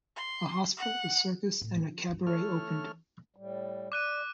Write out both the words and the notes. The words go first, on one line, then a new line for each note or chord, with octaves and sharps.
A hospital, a circus, and a cabaret opened.
C6
F#5
A2
F3
G2 C#4
E3 A3 C#5 F6
A2 G3
D5 D6 F#6 D#7